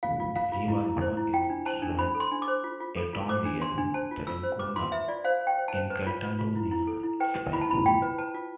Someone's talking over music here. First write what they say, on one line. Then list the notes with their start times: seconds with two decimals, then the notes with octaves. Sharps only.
He was born in Reus, a town near Tarragona, in Catalonia, Spain.
0.03 F4 F5
0.20 F4
0.36 F4 F5
0.52 F4
0.68 E4
0.85 E4
1.01 C5
1.17 E4
1.33 F4 G5
1.50 D4
1.66 C5 A5
1.82 D4
1.99 C5 B5
2.15 A4
2.20 C6
2.32 D4
2.42 D6
2.48 C5
2.64 F4
2.81 F4
2.97 A4
3.13 F4
3.29 C5 D6
3.45 D4
3.62 D4 C6
3.78 D4
3.94 C5 A5
4.11 F4
4.27 F4 E6
4.43 C5
4.59 B4 D6
4.76 F4 C6
4.92 B4 E5
5.08 F4 D5
5.24 C5 F5
5.41 C5
5.47 G5
5.58 C5
5.68 A5
5.73 C5
5.90 B4
6.07 F4
6.22 B4
6.39 F4
6.56 E4
6.71 E4
6.87 A4
7.04 E4
7.20 B4 G5
7.36 B4
7.53 E4 B5
7.61 A5
7.69 E4 B5
7.86 F4 G5
8.02 B4
8.18 B4 A5
8.34 F4